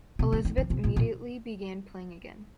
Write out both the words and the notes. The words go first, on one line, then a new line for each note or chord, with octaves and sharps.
Elizabeth immediately began playing again.
C3
D3
D#3
D3
C3
A#2
A#2